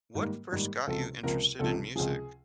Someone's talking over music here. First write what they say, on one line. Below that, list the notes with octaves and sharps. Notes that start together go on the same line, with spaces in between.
What first got you interested in music?
G#2 D#3 G3 A#3
G#2 D#3 G3 A#3
C#2 C3 F3 A4
C#2 C3 F3 A#4
C#2 C3 F3 A4
C#2 C3 F3 G#4